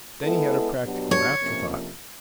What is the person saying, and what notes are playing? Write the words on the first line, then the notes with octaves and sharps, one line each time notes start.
Then he had a practical afterthought.
G#3 B3 E4 A4
B2 F#3 B3 D4 G4
C#5
F2 C3 F3 A#3 C#4